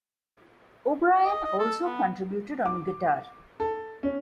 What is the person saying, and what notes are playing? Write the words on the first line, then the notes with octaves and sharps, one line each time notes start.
O'Brien also contributed on guitar.
D#5
D#5
A4
B3
D6
A4
C#4